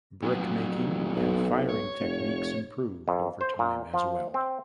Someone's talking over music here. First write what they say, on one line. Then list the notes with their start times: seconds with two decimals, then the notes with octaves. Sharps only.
Brick making and firing techniques improved over time as well.
0.23 F1 A#2 F#3
1.16 B1
1.69 C#5
2.00 F1
3.08 F2
3.41 C5
3.59 A#2
3.94 F3
4.34 C4